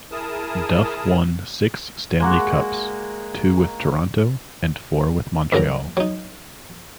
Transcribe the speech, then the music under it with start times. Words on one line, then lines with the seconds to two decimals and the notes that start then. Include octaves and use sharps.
Duff won six Stanley Cups, two with Toronto and four with Montreal.
0.11 E4 G#4 A#4 A5 D#6
2.20 G#3 A#3 F#4
5.52 G2 D3 F#3 A#4 A#5
5.97 F#3 D#4